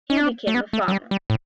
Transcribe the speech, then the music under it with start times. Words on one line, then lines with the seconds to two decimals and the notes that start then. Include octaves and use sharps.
He became a farmer.
0.10 C#4
0.17 D4
0.47 A3
0.55 B3
0.73 A3
0.88 F#3
0.92 G3
1.11 G3
1.30 A2